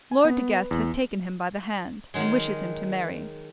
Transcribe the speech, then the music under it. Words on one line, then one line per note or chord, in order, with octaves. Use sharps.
Lord De Guest has taken him by the hand, and wishes him to marry.
G#5
B3
B4
E2
D#3 F#3 G#3